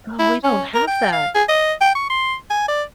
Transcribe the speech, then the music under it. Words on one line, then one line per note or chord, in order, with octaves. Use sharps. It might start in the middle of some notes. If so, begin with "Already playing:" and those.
Oh, we don't have that.
E4
C#4
A#4
G5
F5
G#4
D#5
G5
C#6
C6
G#5
D5